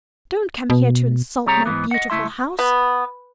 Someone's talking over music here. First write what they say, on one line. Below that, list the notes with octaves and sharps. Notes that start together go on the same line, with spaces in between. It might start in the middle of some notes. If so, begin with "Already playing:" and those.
Don't come here to insult my beautiful house.
B2
C2 G3 C4 G#4 C#5 A#5
G#2 B2 E3 B3
D#5 F#5
C#2 A3 E4 E5 C6
B3